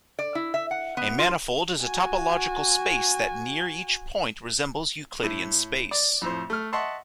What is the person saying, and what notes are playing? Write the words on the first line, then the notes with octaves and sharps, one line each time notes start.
A manifold is a topological space that near each point resembles Euclidean space.
D5
E4
E5
F#5
B3
F4
F#4 G#5
A2
D5
F2 A2 C5
A3 F6
D#5 E5 F#5 A5 C6 C#6